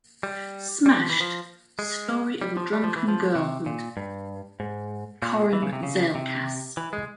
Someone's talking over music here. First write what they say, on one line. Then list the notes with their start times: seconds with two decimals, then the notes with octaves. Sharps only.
"Smashed: Story of a Drunken Girlhood", Koren Zailckas.
0.23 G3
0.86 G3
0.97 F3
1.10 E3
1.20 F3
1.79 G#3
2.41 G3
2.57 F3
2.72 G3
2.84 F3
2.96 E3
3.08 F3
3.35 C3
3.66 A#2
3.97 G2
4.60 G#2
5.22 A#2
5.53 E3
5.62 C#3
5.73 C3
5.83 C#3
6.15 C3
6.77 E3
6.93 G#3